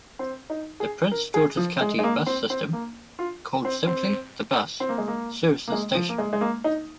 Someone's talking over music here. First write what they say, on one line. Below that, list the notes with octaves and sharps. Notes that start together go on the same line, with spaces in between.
The Prince George's County bus system, called simply TheBus, serves this station.
C4
D#4
G#4
A#4
G#4
F3
G#3
G#3
A#3
C4
C4
A#3
F4
C4
C4
C4
A#3
G#3
A#3
A#3
G#3
F3
A#3
G#3
G#3
A#3
D#4